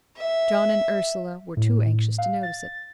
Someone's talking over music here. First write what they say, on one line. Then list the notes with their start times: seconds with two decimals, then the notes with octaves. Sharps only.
John and Ursula were too anxious to notice it.
0.18 E5
1.57 A2
2.18 F5
2.43 A6